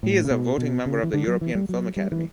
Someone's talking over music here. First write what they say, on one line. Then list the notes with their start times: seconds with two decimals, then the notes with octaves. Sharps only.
He is a Voting member of the European Film Academy.
0.03 A2
0.25 C#3
0.31 B2
0.58 B2
0.86 C#3
1.03 E3
1.13 D3
1.27 F#3
1.41 E3
1.55 G3
1.69 F#3
1.97 G3
2.12 E3